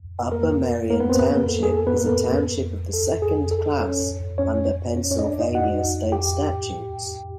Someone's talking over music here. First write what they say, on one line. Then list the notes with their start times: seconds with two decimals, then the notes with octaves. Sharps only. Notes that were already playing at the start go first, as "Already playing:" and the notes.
Upper Merion Township is a township of the second class under Pennsylvania state statutes.
0.32 A#3 A#4
0.90 A#3 A#4
1.00 B3 B4
1.09 C4 C5
1.19 B3 B4
1.33 A#3 A#4
1.48 A4
1.63 G#4
1.77 A4
1.87 B3 B4
1.97 A#3 A#4
2.06 A4
2.93 A4
3.22 G#4
3.51 A4
3.81 C#4 C#5
4.38 C#4 C#5
4.96 C#4 C#5
5.11 C#4 C#5
5.19 D#5
5.26 D4 D5
5.40 D#4 D#5
5.55 F#4 F#5
6.12 G4 G5